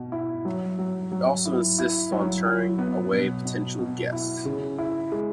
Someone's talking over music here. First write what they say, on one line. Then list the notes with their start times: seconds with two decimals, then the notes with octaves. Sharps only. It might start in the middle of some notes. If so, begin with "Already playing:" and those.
He also insists on turning away potential guests.
Already playing: B2
0.12 E4
0.45 F#3
0.79 F#3
1.12 F#3
1.45 E4
1.78 E4
2.12 F#3
2.45 F#3
2.79 B3
3.12 B2
3.45 B2
3.79 B2
4.12 E4
4.45 C#3
4.78 E4
5.12 G#3